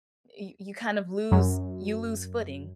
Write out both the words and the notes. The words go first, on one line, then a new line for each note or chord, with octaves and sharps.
y you kind of lose you lose footing.
F#2